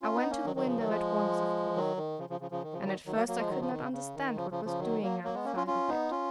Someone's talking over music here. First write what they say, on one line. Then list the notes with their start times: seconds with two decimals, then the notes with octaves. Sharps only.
I went to the window at once, of course; and at first I could not understand what was doing outside of it.
0.02 C#4 F4
0.16 B3 D#4
0.30 A#3 C#4
0.45 D#3 F#3
0.55 D#3 F#3
0.66 C#3 F3
0.77 D#3 F#3
0.88 F3 G#3
1.76 D#3 F#3
1.97 D#3
2.19 C#3 F3
2.30 C#3 F3
2.40 C#3 F3
2.51 C#3 F3
2.63 D#3
2.73 C#3 F3
2.84 D#3 F#3
3.05 D#3 F#3
3.16 F#3 A#3
3.28 F#3 A#3
3.38 F3 G#3
3.49 D#3 F#3
3.60 C#3 F3
3.71 D#3
3.82 C#3
3.93 C#3
4.14 D#3
4.36 C#3 F3
4.51 C#3 F3
4.65 C#3 F3
4.79 D#3 F#3
5.02 F#3 A#3
5.23 F#3 A#3
5.34 G#3 B3
5.45 A#3 C#4
5.56 C#4 F4
5.67 C#4 F4
5.88 B3 D#4
6.11 C#4 F4